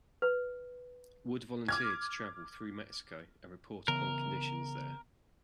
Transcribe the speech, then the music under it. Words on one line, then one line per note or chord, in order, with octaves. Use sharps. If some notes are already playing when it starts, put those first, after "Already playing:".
Wood volunteered to travel through Mexico and report upon conditions there.
B4
D6 F6 G#6
C#3 E3 B3 A#4